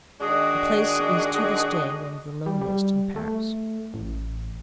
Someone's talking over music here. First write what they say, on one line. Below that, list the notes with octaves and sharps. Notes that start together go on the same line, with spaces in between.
The place is to this day one of the loneliest in Paris.
D#3 G#3 D4 F#4 G#4 D#5
G3
G3
A3
A1